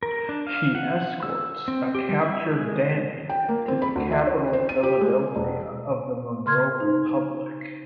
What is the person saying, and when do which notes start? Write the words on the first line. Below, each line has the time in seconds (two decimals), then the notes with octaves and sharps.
He escorts a captured Danny to the capital Philadelphia of the Monroe Republic.
0.03 A#4
0.29 D4
0.47 F5
0.75 F#5
1.23 E6
1.68 C4
1.95 G4
2.09 G3
2.23 E4
2.49 G#3
3.29 G5
3.49 A#3
3.68 C4
3.82 B5
3.95 D2
4.12 E5
4.27 C#5
4.53 C5
4.69 D#7
4.83 G4
5.01 G#3
5.36 E1
6.46 C#3 C6 F6 G#6
6.78 D#4 C5